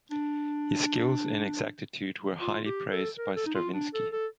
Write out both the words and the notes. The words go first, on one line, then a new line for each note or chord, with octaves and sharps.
His skills and exactitude were highly praised by Stravinsky.
D4
F4
G4
A4
A#4
A4
D#4
F4
D4
A4
A4